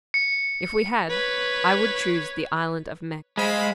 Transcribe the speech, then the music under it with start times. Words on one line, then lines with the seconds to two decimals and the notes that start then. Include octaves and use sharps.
'If we had I would choose the Island of Man.'
0.14 C#7
1.10 B4 C#5
3.37 G#3 C5 F5 B5